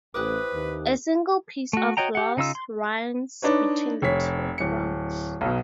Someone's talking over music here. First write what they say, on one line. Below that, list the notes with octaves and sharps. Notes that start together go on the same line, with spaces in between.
A single piece of floss runs between the two prongs.
A1 C4 E4 G4 B4 D6 D#6 F#6
D#2
A3 F#4
F#4 C#5 D#5 G5 A#5
G4 F#5
C#3 D#4 F4 E6
C6
D4 D#4 B4 C#5
F1 C#5 B6
D1 C#7
B1 B2